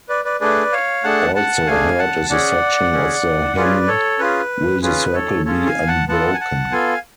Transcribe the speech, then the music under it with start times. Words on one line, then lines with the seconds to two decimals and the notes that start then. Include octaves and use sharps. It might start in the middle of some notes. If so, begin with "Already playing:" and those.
Also heard is a section of the hymn "Will the Circle Be Unbroken".
0.09 B4 D5
0.25 B4 D5
0.40 A3 D4 G#4 B4 D5
0.72 C#5 F5
1.04 A3 D4 G#4 F#5 A5
1.35 F#5 A5
1.67 A3 D4 G#4 F5 G#5
1.99 F#5 A5
2.30 C#4 G#4 D5 F#5
2.93 C#4 G#4
3.56 C#4 F4 G#4 B4 D5
3.88 A4 C#5
4.19 C#4 F4 G#4 B4
4.83 C#4 F4 G#4 B4
5.14 A4 C#5
5.45 C#4 F4 G#4 A4 C#5
5.67 F5 G#5
5.87 F#5 A5
6.08 B3 F4 A4 F#5 A5
6.34 G#5
6.40 F#5 A5
6.72 B3 F4 A4 F5 G#5